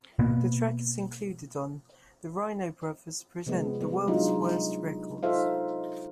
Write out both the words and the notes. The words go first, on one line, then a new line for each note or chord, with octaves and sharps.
This track is included on "The Rhino Brothers Present the World's Worst Records".
B2 A#3 B3
C3 F3 G#3 B3
G3 B3
F#3 G#3 D4 D#4 F4
D#4 F4 A4 C5 E5 F5